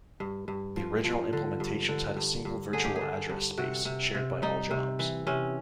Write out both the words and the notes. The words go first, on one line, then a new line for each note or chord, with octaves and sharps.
The original implementations had a single virtual address space, shared by all jobs.
G2
G2
F3
F3
D3
G2
D3
G2
G2
D3 G#4
G4
G#4
D3
G2
C3 F#4
C3
C3
G3 D#4
C3
E3
C3 C#4